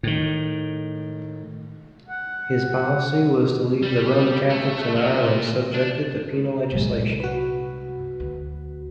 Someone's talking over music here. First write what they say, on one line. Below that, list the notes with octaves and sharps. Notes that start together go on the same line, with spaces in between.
His policy was to leave the Roman Catholics in Ireland subjected to penal legislation.
A2 D#3
F#5
G3
A3
A#2
D4
C2 G2 A#2 F#3 G#3
F#4 B4
D2